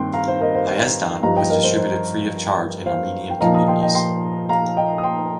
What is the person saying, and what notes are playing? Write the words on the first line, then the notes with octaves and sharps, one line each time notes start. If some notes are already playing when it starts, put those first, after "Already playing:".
"Hayasdan" was distributed free of charge in Armenian communities.
Already playing: G2 D#3 C4 G5 C6
F5 A#5
C5 F5
A#4 D#5
C5 F5
C5 F5
G2 F3 D#4 F5 A#5
D#5 G5
A#4 D#5
C5
C5
C5 F5
G5
A#2 F3 D#4 F5 A#5
A#5 D#6
G5 C6
D#5 G5
G5 C6
F5 A#5
D#5 G5
D#6
G5 C6